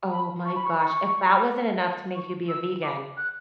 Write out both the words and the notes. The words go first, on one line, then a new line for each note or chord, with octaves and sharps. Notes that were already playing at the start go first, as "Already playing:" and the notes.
Oh my gosh, if that wasn't enough to make you be a vegan.
B5
C#6
B5
C#6
C#6
C#6
E6
D6
F#6